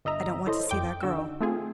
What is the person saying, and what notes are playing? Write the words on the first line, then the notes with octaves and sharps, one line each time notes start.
I don't want to see that girl.
G1 D#5 E5 A#5
E4 A4 C5 C#5 D#5
F2 G5 D6
D3 F#4 E6
D#4
A3 C4 F4 G#4